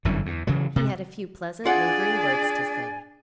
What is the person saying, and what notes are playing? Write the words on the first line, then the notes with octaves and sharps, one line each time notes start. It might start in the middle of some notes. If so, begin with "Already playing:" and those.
He had a few pleasant, lingering words to say.
G1 F#2 D3 E3
E2
C#3 E3 F#3
C3
D4 F4 G#4 D5 F#5 G#5